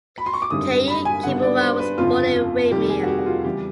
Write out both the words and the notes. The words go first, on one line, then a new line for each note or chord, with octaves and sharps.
Ka‘iu Kimura was born in Waimea.
B5
C6
C#6
D6
G#1 F#2 D3 G3 D#6
B5
G#5
G#1 G2 D3 G3 B3 F#5
D5
C5
B4
G1 F2 C#3 F3 F4
F4
F1 D#2 D#3 G3 G4
G#4
F#4
G4
F#4
F4
E2 C#3 E3 G3 G4